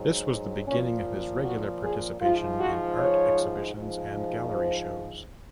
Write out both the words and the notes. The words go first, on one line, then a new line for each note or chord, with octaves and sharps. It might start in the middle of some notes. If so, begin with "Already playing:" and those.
This was the beginning of his regular participation in art exhibitions and gallery shows.
Already playing: G#2 F#3
A#2 F3 C#4
F#4
G#4
G#2 F3 F4
F#4
C#5
G#2 F3
C5